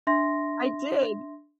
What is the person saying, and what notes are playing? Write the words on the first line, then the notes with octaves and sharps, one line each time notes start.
I did.
D4 E5 C6 A#6